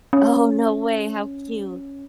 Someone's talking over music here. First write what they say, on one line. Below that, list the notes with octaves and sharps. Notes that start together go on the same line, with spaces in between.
Oh, no way, how cute.
C#4